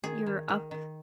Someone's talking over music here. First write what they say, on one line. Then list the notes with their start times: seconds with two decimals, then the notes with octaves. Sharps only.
you're up
0.04 D#3 G#4
0.26 D#3
0.49 D#3
0.71 D#3